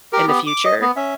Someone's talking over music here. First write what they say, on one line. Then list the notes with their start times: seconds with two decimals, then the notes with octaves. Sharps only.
in the future,
0.13 G4 A#4
0.27 B3 G4
0.47 D6
0.65 D#5
0.81 B3
0.96 C#4 E5